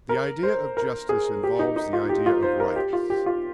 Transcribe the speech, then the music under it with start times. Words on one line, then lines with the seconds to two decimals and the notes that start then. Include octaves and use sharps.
The idea of justice involves the idea of rights.
0.09 A#4
0.43 C5
0.77 A#4
1.09 G#4
1.43 G4
1.59 D#4
1.76 D#4
1.93 F4
2.09 G4
2.26 F4
2.43 C5
2.60 A#4
2.76 G4
2.93 F4
3.10 G4
3.26 F4